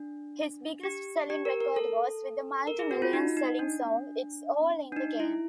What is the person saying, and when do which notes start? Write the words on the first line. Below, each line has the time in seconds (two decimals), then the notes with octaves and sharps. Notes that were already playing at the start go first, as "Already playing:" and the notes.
His biggest-selling record was with the multi-million-selling song It's All in the Game.
Already playing: D4
0.84 G4
1.30 G4
1.45 A#4
1.60 A#4
1.76 A4
2.67 A#4
2.79 G#4
2.91 F#4
3.02 F4
3.13 D#4
3.37 D#4
3.59 D4
4.92 D4
4.97 D#4
5.20 E4